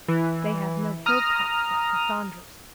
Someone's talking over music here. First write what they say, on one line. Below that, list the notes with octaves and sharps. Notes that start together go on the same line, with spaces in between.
They have no hilltops like Cassandra's.
E3
A#5 D#6 F6